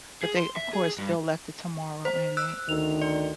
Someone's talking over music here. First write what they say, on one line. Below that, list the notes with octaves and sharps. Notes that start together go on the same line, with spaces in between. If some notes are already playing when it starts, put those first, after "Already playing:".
but they, of course, still left the "Tomorrow" in it
G#4
C6
E5
G#4
G2
C5
E6 F#6
D2 D#3 F7
D5